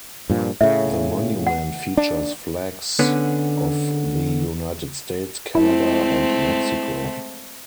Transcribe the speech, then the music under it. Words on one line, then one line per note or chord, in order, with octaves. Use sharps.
The monument features flags of the United States, Canada, and Mexico.
G2 A#2 F3
A2 C#3 E5
F#5
D4
D3 B3 C#4
G#3 A3 C4 E4